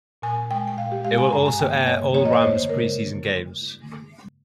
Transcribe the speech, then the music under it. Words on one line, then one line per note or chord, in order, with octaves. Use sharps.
It will also air all Rams preseason games.
A#2 G#5
G#3 G5
G5
A#2 F5
G4
G#3 F5
G#5
G2 A#5
G#5
F3 A#3 G5
G2 C#5
F3 A#3 C#5
D#5
C#5
F2 C5
C5
C#3 G#3 A#4